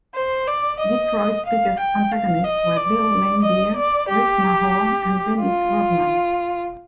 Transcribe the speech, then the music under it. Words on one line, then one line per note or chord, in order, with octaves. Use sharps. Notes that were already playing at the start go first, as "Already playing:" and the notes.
Detroit's biggest antagonists were Bill Laimbeer, Rick Mahorn and Dennis Rodman.
C5
D5
D#5
F5
G5
F5
D#5
D5
D#5
D5
G4
F4